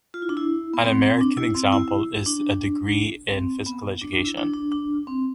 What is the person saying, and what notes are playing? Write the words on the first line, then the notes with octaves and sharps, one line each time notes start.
An American example is a degree in physical education.
F4
E4
D4
E4
B3
C4
C4
D4
E4
C4
E4
D4
C4
B3
D4
D4
E4
D4
D4
D4
C4